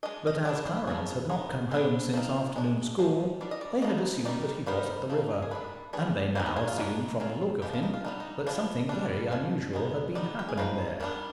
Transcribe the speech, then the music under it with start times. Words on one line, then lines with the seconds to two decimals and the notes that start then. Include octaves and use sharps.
But, as Clarence had not come home since afternoon-school, they had assumed that he was at the river; and they now assumed from the look of him that something very unusual had been happening there.
0.03 G#3 D4 D#5
0.27 D#5
0.45 G#3 B3 D4 D5
0.55 D5
0.66 C5
0.77 B4
0.87 F3 B3 D#4 G#4
1.25 B4
1.29 D#3 B3 D#4 G#4
1.71 G#3 B3 D4 C5
2.14 F3 C4 D#4
2.56 G#3 D4
2.98 F3 G#3 C4
3.41 G3 D4 D5
3.51 D#5
3.61 D5
3.82 F3 B3 D#4 D#5
4.25 D#3 G3 C4 D#4 D5
4.66 D#3 G3 B3 D#4 C5
5.09 F3 C4 D#4
5.42 G#4
5.51 D#3 G3 D4 B4
5.93 G3 B3 D4 G#4
6.35 G3 B3 D#4 C5
6.46 B4
6.56 G#4
6.68 F4
6.78 G#3 B3 D4 D#4
7.20 G#3 C4 D#4 F4
7.62 F3 G#3 B3 G4
7.73 F4
7.83 D#4
7.94 F4
8.04 G3 B3 D4 D#4
8.20 D#4
8.47 F3 G#3 B3 D4
8.89 G3 D4
9.31 F3 G#3 C5
9.73 D#3 G#3 B3 D#4
10.15 G3 B3 D#4 D5
10.39 G4
10.48 G#4
10.57 F3 C4 D#4 B4
11.00 D#3 G3 B3 D4